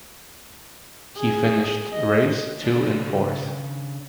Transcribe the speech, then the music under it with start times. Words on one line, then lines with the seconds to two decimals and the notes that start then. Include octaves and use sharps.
He finished race two in fourth.
1.17 G#4
1.93 D#5
2.64 C#3 D4